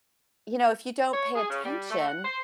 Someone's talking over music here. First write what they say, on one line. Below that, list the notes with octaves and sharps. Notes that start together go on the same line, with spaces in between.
you know, if you don't pay attention,
C#5
G#4
C#3
G3
A3
F#5
C5